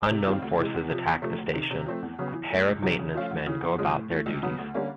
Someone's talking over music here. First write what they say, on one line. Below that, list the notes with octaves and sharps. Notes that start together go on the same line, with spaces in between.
Unknown forces attack the station; a pair of maintenance men go about their duties.
C3
D#3 G3 C4 F4
D2
C3 E3 G#3
E2
C3 F3
E2
C3 F3 A3
D2
C3 D#3
C3
F3 A3 C4
E2
C#3 F#3 B3
E3
A3 C#4
C#2
C3 D#3 F#3
C#3
F3 A3 C#4 F4
D2
C#3 E3
E2
C#3 F3 G#3
A2
E3 A3
C#2
C#3 F#3 B3
D2
D3 G3 A#3 C#4